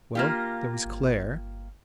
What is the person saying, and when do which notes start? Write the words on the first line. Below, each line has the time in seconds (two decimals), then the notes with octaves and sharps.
Well, there was Clare.
0.15 A#3 F4 G4 F5 A#6
0.86 G1